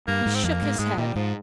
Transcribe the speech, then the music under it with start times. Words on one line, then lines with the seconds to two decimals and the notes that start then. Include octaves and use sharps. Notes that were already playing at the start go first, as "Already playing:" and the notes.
He shook his head.
0.08 G2 A#3
0.26 G#2
0.35 C4
0.44 F2 A#3
0.62 G#2
0.79 G#2 G#3
0.98 A#2 G3
1.16 G#2 F3